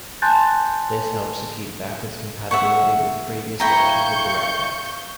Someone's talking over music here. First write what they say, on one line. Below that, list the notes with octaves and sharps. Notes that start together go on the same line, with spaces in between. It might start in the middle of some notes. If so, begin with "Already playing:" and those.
This helps to keep backwards compatibility with previous versions of DirectX.
G#5 A5 C6 F#6 G6 A6
E5 F#5 C#6
E4 F5 G5 A#5 C#6 G6